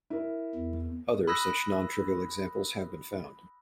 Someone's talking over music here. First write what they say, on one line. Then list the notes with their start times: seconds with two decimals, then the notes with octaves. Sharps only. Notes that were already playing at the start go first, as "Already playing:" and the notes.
Other such nontrivial examples have been found.
0.10 E4 A#4
0.55 E2
1.27 B5 D#6 E6 F#6 A#6